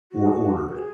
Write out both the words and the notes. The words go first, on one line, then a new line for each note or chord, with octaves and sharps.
or order it.
F#4
F#4
G#4